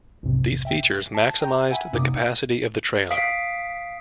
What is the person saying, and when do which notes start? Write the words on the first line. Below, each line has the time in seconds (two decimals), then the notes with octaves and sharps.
These features maximized the capacity of the trailer.
0.23 B1 F2 G#2 C3
0.65 E5 G5
1.14 A5
1.41 G5 A#5 G6
1.70 E5 F#5 G#5 B5
1.93 F#2 C3 A#3 D#4 D6 D#6
3.11 F5 D#6 B6 C7 D7